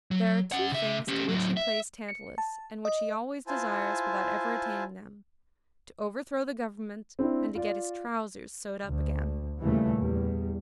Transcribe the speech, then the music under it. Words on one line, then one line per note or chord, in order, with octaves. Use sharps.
There are two things to which he plays Tantalus, and which he always desires without ever attaining them: to overthrow the government, and to get his trousers sewed up again.
F#3
C#4 F#5
C#3 E5
C#4 G4
A2 F#3
E5
C#7
A5
D#5
E4 F4 C5 G#5 A5
C4 D4 E4
F4 D5
D2
D#2 A#2 C#3 E3 G3 A3
E2 G3